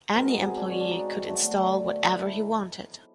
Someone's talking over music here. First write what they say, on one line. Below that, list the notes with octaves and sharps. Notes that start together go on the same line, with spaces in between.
Any employee could install whatever he wanted.
B2 G#3 C4 A#4
G#4
G#4
D4
C#4
D4
D#4
D4
D3 F#3 A3
D4
D#4
E4